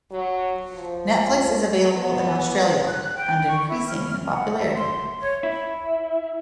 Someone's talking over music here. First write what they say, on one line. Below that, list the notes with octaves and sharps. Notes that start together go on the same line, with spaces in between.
Netflix is available in Australia and increasing in popularity.
F#3
F3
B3
F#6
G5
C#6
E4
F6
F#5
E5
C6
C#5
E4